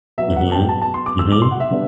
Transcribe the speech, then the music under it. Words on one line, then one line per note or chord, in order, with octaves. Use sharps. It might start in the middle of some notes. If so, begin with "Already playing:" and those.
Mhm. Mhm.
B2 F#3 B3 E5
F#5
A5
G5
A5
A5
C6
D6
E6
D6
C6
F#5
E5
D3 G3 B3 D4